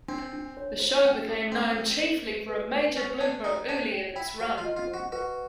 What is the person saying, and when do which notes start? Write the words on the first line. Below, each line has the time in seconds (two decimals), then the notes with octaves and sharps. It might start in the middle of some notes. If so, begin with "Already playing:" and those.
The show became known chiefly for a major blooper early in its run.
0.08 C4 D4
0.33 D4
0.57 C#5
0.80 C5
1.05 C#4
1.29 A4
1.52 C4 C#4
1.76 A4
2.00 C5
2.24 B4
2.49 B4
2.73 G#4
2.96 C#4 B4
3.21 D4 B4
3.44 D#4 G#4
3.68 D4 C5
3.92 G5
4.16 E4 G5
4.40 F#4 C5
4.58 F4
4.65 D#5
4.76 F4
4.88 C5
4.94 F#4
5.12 F#4 B4